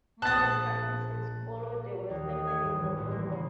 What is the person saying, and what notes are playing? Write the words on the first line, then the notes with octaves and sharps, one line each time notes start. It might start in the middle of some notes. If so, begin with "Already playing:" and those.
Modern practices follow the Western medical model.
A#1 A5 D#6 F#6 A6
D#2
D#6
G#5
G2
E2
A1
A#3
C#3